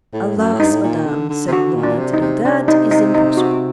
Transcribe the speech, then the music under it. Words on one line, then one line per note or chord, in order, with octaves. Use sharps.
"Alas, Madame!" said Lord Antony, "that is impossible."
A2
F#2
A2
G2 D#4
A2
A#2
D3
D3
C3
D3 F#4
A#2
D4
C3
D#4
C3
C3 D4
D#4
D#4
D#4
F#4